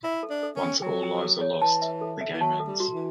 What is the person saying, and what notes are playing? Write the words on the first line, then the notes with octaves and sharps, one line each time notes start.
Once all lives are lost the game ends.
E4 E5
A4
D4
A4
C#4
G5
F#3 G5
G5
A4
C#5
E3 A5
E5
A4
E5
E3
F#3 A5
A4
G3
F#4
E3